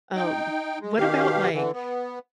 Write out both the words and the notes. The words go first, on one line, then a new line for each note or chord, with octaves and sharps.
Um, what about like
D#4 G5
G#3
B2 D#3 G4 F5
D3 E3
B3